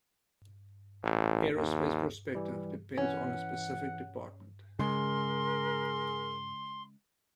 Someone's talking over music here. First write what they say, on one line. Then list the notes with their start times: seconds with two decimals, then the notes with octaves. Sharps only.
Aerospace prospective depends on a specific department.
1.03 A1
1.56 D#2
2.35 E3 G3
2.97 E3 C#4 F#5
4.79 C#3 G#3 G#4 A#4 C6